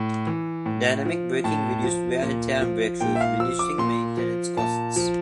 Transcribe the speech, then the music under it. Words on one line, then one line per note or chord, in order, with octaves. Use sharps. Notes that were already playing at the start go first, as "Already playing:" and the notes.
Dynamic braking reduced wear and tear on brake shoes, reducing maintenance costs.
Already playing: A2
E3
A2
F3
A2 A5
F3
A#2
F3
A#2 G5
E5
F5
F3 E6
D6
A#2 C6
F3
A#2 A5
F3